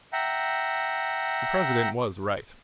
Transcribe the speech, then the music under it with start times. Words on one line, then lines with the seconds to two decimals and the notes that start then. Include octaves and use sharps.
The president was right.
0.13 E5 F#5 G5 A#5